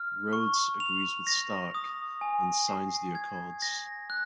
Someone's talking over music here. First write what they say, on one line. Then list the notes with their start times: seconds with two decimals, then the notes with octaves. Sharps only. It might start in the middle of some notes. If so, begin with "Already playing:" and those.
Rhodes agrees with Stark and signs the Accords.
Already playing: F6
0.33 C#6
0.80 F7
1.27 A#6
1.74 D#6
2.21 G#5
2.68 C7
3.15 G#6
3.62 A#6
4.10 F#6